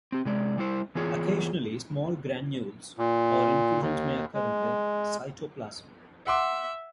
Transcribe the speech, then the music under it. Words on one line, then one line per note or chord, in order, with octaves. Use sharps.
Occasionally, small granules or inclusions may occur in the cytoplasm.
C4 G4
C3 G#3 D5
G3 E4 C5
E3 B3 F4 G#4 C#5
A#2
D#2
G#3
E5 F#5 C6 D6